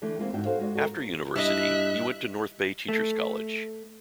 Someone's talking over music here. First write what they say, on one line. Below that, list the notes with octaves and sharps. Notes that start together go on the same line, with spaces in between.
After university, he went to North Bay Teacher's College.
D3 E3 A3 D4
E3 G#3 A#3 C4 E4 F4
G#2 D4 F#4 E5 G5
F#4 A4 C5 F5
G#3 F#4 D5
F#4 A4 A#4
G2 E4 D#5 E5 F#6
A3